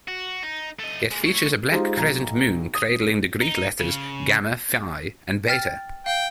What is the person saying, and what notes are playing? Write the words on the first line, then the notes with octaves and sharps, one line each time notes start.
It features a black crescent moon cradling the Greek letters, Gamma, Phi and Beta.
F#4
D#4
A3 D#5
G#3 A#3
A3 C#5
G#3 D#4 F4 G4 C5
B1 A#5
D#6 D#7
D#4
C#3
G5 F6 A6
F5 G5